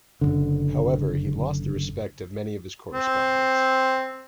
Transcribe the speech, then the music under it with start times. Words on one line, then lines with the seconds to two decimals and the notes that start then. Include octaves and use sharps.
However, he lost the respect of many of his correspondents.
0.21 F#1 B1 D3
2.92 C4